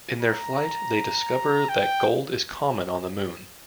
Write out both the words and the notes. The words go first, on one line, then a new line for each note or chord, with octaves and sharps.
In their flight they discover that gold is common on the moon.
A#5
G5